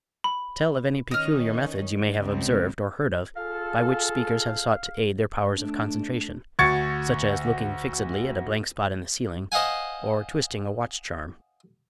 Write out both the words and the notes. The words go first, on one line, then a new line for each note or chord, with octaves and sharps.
Tell of any peculiar methods you may have observed or heard of by which speakers have sought to aid their powers of concentration, such as looking fixedly at a blank spot in the ceiling, or twisting a watch charm.
B5
D#3 C#4 D#5 F6
C#2 C4
F4 G#4 A4 F5
A3 D4
D2 F#4 C#6 G#6 A6 C#7
C5 D#5 F5 F#5 G#5